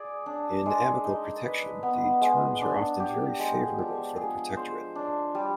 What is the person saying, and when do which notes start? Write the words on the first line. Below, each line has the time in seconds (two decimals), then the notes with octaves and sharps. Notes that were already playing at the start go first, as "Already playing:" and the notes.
In amical protection, the terms are often very favorable for the protectorate.
Already playing: G#4 D5
0.26 D4
0.66 G#3
1.04 D#4
1.44 B4
1.83 B3
2.21 G#3
2.61 D4
3.00 G4
3.39 G#3
3.79 F3
4.17 G#4
4.57 C5
4.95 D4
5.35 G3